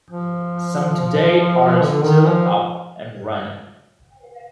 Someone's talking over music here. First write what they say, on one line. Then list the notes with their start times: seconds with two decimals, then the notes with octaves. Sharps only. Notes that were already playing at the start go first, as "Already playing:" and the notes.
Some today are still up and running.
0.10 F3
1.83 D3
2.04 D#3
2.27 F3